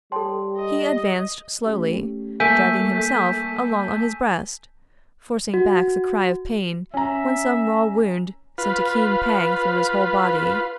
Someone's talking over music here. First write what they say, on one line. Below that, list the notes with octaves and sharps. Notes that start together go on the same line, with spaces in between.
He advanced slowly, dragging himself along on his breast, forcing back the cry of pain when some raw wound sent a keen pang through his whole body.
G3 G4 A4 C#5 G5 A5 C6
D#5
A3 C#4 G4
G3 A3 A#3 A#4 G#5 G6 B6 D#7
F#4
C#4 E5 A#5
F4 B4